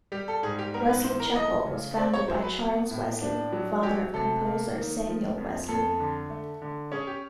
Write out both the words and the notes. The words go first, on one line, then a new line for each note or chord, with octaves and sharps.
Wesley Chapel was founded by Charles Wesley, father of composer Samuel Wesley.
G3 G4
A4
G#2 G#4
G4
B3 A#4
B4
E3 C5
A#4
A3 D#5
C#3
C4 D5
C#5
F#3 C5
B4
B3
A2
D4
F#3
F#3 G4
C3 A4
A#3
D#3
F3
F2
F2 A4
D3
A3
D3
C#4 G#4
G4